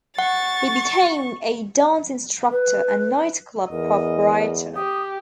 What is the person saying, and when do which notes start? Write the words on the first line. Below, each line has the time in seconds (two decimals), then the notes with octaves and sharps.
He became a dance instructor and nightclub proprietor.
0.19 F#5 C#6 A6
2.51 B4
3.71 E2 A#4 D#5
4.76 G4 D#6